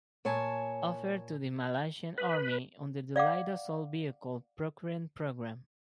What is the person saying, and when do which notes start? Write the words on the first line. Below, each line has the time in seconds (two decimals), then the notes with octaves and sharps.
Offered to the Malaysian Army under the light assault vehicle procurement program.
0.25 A#2 C#5 G#5 A5
2.18 B4
3.16 D5 F5 F#5 D6